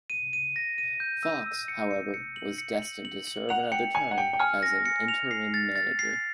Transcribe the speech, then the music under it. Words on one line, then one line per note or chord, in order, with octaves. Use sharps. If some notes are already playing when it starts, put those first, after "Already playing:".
Fox, however, was destined to serve another term as an interim manager.
D#7
D#7
A#6
D#7
G6
E6
E6
C#7
C#7
C#7
F#7
C#7
F#7
F#7
F#7
F#5 F7
G5 C#7
G#5 C#7
F#5
G5 C#7
G5
G#5 F6
A#6
C#7
F7
C7
A6
A6
C7